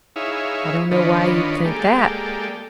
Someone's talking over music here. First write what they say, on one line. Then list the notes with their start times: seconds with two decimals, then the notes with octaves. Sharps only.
"I don't know why you'd think that."
0.16 D#4 E4 G#4 C#5 E5 F5
0.91 D#3 D4 F4 B4 C#5 D#5
1.65 G#3 A#3 G4 A4 D5